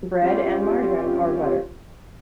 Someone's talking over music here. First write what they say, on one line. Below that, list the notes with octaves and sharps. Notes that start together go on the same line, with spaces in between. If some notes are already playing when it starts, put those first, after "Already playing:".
bread and margarine or butter.
G3 C4 C#4 F4 G4